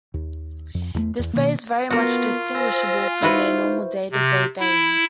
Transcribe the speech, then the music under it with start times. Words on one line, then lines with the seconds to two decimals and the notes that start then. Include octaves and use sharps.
This bay is very much distinguishable from their normal day to day baying.
0.14 D#2
0.75 F2
0.94 E2 F3 A3
1.19 E2
1.33 B2 D#3 A#3
1.90 B3 F4 F#4 A#4
2.55 C5 G#5 E6 A#6
3.22 D#4 E4 F#4 B4 C5
4.12 C3
4.60 E4